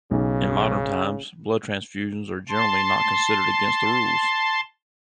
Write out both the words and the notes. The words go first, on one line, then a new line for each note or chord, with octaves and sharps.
In modern times, blood transfusions are generally not considered against the rules.
B1 C#3
A5 C6